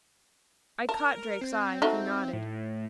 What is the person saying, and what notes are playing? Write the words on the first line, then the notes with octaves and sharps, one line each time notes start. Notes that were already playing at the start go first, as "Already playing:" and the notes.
I caught Drake's eye; he nodded.
A#4 A5
C4
A3 D#4 F#4
A2